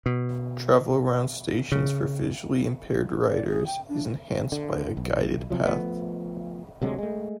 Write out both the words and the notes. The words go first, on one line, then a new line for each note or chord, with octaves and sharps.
Travel around stations for visually impaired riders is enhanced by a guided path.
B2
C#3
D5
G#4
G5
D4
D3
B1
C3 F3 F#3
F3 F#3 A3 B3
D2 C3 F#3 G#3
G#3 A3